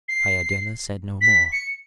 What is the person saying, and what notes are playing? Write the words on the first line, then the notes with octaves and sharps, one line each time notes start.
Iadilla said no more.
C7
B6
C#7